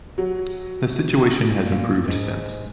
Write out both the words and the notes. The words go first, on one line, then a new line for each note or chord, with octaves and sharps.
The situation has improved since.
F#3
A#2
D#2 G#2